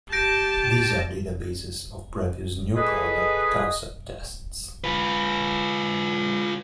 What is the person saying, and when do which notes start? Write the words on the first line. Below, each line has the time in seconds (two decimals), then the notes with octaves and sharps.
These are databases of previous new-product concept tests.
0.12 G4 A5 G6 A#6 D7
2.76 G#4 A4 B4 D#5
4.84 F4 B4